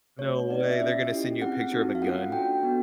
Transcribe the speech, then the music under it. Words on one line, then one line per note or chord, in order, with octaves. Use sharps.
No way, they're gonna send you a picture of a gun.
A3 D4 F#4 A4 C#5
C4 D#4 G4 D5
D#5
E5
C#4 F4 A4 D#5
C#4 E4 G4
C4 F4 G#4 F#5
C4 D#4 F#4 A4
F5
A#3 C#4 F4 A4 F#5
D4 F#4 A4 G5
B3 D4 F#4